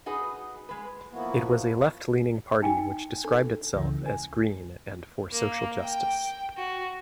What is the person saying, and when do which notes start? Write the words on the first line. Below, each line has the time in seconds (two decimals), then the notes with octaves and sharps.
It was a left-leaning party which described itself as green and for social justice.
0.06 D#4 F#4 G#4 B4
0.69 G#3 B4
1.12 F3 A#3 B3 E4 F#4
2.62 D#4 G5 G#5
3.25 D4 A4
3.74 C#2 C#3 E3
4.06 G#5
5.31 A#3
5.81 G5
6.57 F#4